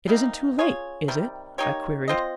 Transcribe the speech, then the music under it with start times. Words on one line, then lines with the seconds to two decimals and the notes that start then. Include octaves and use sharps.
"It isn't too late, is it?" I queried.
0.08 C3 G3 A#3 D#4
0.59 C#4 F4 G#4 C#5
1.08 C3 D#3 G3
1.58 A#3 D#4 G4 C#5
2.08 C4 F4 C5 D#5